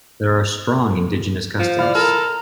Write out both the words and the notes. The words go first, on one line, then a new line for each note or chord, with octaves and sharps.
There are strong indigenous customs.
F3 F5
E4 D5 F5 F6
A4 A#4 A#5 F6